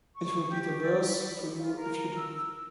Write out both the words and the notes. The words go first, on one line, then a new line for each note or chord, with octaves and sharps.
It will be the worse for you if you do.
C#6
G4
D5
B5
F4
A#4
E6